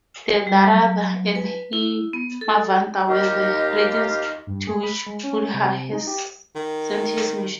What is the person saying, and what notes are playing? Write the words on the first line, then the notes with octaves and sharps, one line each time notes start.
The Darada and Himavanta were the regions to which Buddha sent his missionaries.
G3
F#3
B4
E4
B3
A4
D#2 D#4 F4 G4 D#5
G2
G#4
B5
G#3
C#4
C3
D#4
G4
D#3